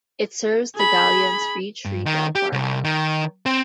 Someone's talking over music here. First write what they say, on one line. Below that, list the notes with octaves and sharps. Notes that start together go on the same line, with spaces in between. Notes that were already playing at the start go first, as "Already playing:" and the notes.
It serves the Gallions Reach Retail Park.
G#4 B5
G2
D#3
G4
C2
D#3
C4